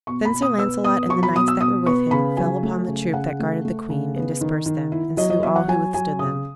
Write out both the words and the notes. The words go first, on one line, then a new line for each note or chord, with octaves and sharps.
Then Sir Launcelot and the knights that were with him fell upon the troop that guarded the queen, and dispersed them, and slew all who withstood them.
B2 C#6
B5
B2
D#6
B3 E6
B2 D#6
F#3 C#6
B5
B2 D#6
E6
B2 D#6
B3 C#6
C#3 B5
F#3 G#5
A3
C#3
C#3 F#5
A3
A3
C#3
B3
D#3
D#3
E4
F#3 D#5
D#5
F#3 E5
F#5
F#3 G#5
F#3 G#5
C#3 D#6